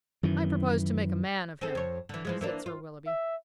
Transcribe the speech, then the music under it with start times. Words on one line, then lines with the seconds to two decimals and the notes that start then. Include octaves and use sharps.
"I propose to make a man of him," said Sir Willoughby.
0.23 F#2 D#3 E3
1.61 C4 G#4 A4
1.75 F2 C#5
2.09 D3 E3
2.25 E3 F3 G#3
2.41 E3 A#3 D4
2.66 F4
3.07 E5